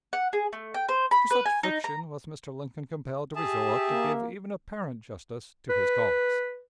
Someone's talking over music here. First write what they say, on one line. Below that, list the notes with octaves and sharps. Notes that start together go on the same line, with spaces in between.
To such fiction was Mr. Lincoln compelled to resort to give even apparent justice to his cause.
F#5
G#4
A3
G5
C5
B5
B4
G#5
D#4
A#5
G4 G#4 E5 A5
A#3
B4